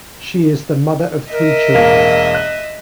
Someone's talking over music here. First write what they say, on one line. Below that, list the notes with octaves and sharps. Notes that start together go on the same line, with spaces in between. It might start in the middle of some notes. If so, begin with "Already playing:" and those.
She is the mother of three children.
A#4 D#5 E5
E1 A#3 F5
F#6